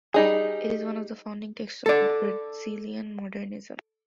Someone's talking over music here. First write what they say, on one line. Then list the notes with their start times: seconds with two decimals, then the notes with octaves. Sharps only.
It is one of the founding texts of Brazilian modernism.
0.14 G3 D#4 G#4
1.86 A4 D5